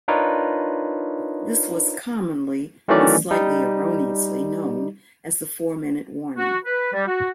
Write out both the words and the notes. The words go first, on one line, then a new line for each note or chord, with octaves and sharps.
This was commonly, and slightly erroneously, known as the Four minute warning.
D4 D#4 F4 A#4 B4 C#5
D#3 E3 F#3 A3 C#4 D5
G3 D#4
F#4
B4
G3
F#4